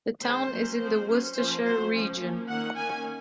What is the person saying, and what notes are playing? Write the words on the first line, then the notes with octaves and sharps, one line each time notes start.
The town is in the Worcestershire region.
D#3 G#3 C#4 C5
F#3 A#3 C#4
F3 C4 C5
F#3 C#4
F3 A#3 C#4 C5
F#3 C4 C5
F3 G#3 C#4
F3 A#3 C#4
D#3 A#3 C#4 F#5
D#3 A#3 C#4 G#5